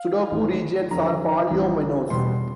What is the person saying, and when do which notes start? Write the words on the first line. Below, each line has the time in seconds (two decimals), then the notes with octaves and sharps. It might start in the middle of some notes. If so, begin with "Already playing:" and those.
Sudoku regions are polyominoes.
Already playing: F5
0.31 G#1 G#2 E3
0.91 F2 D3 F3 A#5
1.51 A1 G2 E3 G3 C4
2.10 E2 B2 G3 B3 C6